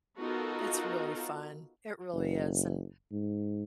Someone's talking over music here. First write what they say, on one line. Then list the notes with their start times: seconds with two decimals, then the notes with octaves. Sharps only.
it's really fun, it really is, and
0.20 B3 D#4 F4 F#4 A4 A#4
2.13 F#1
3.12 G#2